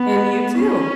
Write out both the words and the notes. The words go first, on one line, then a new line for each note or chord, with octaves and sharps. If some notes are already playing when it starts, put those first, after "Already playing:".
And, you too.
Already playing: B3
C#4